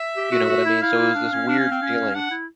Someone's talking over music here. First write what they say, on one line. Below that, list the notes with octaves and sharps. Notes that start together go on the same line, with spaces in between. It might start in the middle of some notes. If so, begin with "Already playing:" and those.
you know what I mean? So, it was this weird feeling,
Already playing: E5
G4
F#4
F#4
E4
E4 F5
E4
D4
C#4
D4
C#4
C4
C#4
D4 F#5
E4